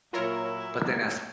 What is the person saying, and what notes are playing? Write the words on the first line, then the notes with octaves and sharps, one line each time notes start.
But then as
A#2 F#3 E4 F4 A#4 C#5